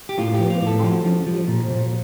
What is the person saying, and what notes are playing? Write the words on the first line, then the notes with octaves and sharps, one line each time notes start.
it would probably be a good
G4
A2 F4
G4
F3
F4
A2
A4
F3
F3
F3
A#2
A#2